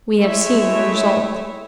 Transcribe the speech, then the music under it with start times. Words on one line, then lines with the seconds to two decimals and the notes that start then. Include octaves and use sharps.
We have seen the result.
0.18 G#3 A3 E4 C#5 E5